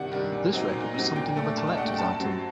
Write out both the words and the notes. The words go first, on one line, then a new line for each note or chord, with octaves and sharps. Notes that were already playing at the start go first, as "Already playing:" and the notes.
This record was something of a collector's item.
Already playing: C3 D#3 G3 D4 F#5
D#3 G3 D4
A#2
F#3 C4 D#4
A#2
F#3 C4 D#4
A#2 G5
A3 D4
A#2 A5
D#5
A3 D4 F#5
G5
F#2 A5
F#3 C4